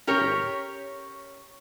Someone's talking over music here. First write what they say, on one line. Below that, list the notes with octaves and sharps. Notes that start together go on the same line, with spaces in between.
It did,
C#4 G4 A#4 C#5